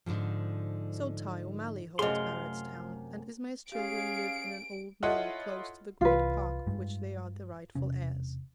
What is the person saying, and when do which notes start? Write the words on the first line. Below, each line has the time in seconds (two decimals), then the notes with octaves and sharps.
So Tighe O'Malley holds Barrettstown, and Ismay's children live in an old mill close to the great park of which they are the rightful heirs.
0.06 G#2 D3 E3 F3
1.99 F#2 C3 A3 G#4 D#5 F5 C6
3.72 C#4 G4 G#4 F5 D7
5.03 E4 F4 A4 C#5 D#5 F#5
6.01 C2 E3 F4 B4
6.67 G2 G3 G#3
7.75 E1 C3 C#4